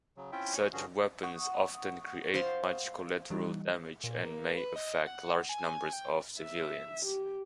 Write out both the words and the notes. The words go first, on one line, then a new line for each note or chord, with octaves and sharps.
Such weapons often create much collateral damage and may affect large numbers of civilians.
C#3 F#3
C4 C#4 E4 F4 E5 G5
C#5 G#5 C#6
G2 D3 F3 C#4 F#4 G#4
F#5 C#6 D#6
C5 F5 C6
E3 G3 D#4
A#2
A#3
B4
D#5
F#5
G#5
G5
E5
G4